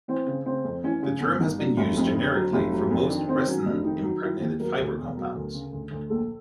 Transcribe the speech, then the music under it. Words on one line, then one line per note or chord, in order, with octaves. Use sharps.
The term has been used generically for most resin impregnated fibre compounds.
E3 C4
C#3
C#3 C4
F2
E3 C#4
C#3 C#4
G1 C#4
G1 D#4
F#3 D4
F1
F2
D3
F#3
F1
F#3
F2
D#3 D4
D#3 C4
F#3 C#4
F1 D4
D#3 D#4
F#3
D#3 E4
D#2
F#3 A#4
D2
E1
F#3
D2
C#3
D2
D2
A#1 A4